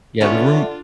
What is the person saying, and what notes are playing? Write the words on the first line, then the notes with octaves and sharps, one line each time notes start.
Yeah, the room
D3 B3 C#4 D4 F4 C#5 E5